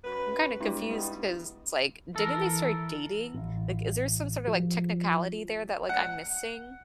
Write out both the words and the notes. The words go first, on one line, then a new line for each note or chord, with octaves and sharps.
I'm kinda confused 'cause, like, didn't they start dating? Like, is there some sort of, like, technicality there that, like, I'm missing?
F#2 B4
G3 G#3 D4 E4
G3 B3 D#4
E3 A4 A#4
A1
F3
F#5